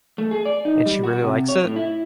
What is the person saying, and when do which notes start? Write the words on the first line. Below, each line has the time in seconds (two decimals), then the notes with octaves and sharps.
And she really likes it?
0.18 A3
0.31 G#4
0.45 D5
0.65 D#4
0.86 G3
1.04 F#4
1.24 C3
1.49 C#5
1.64 A2
1.76 E4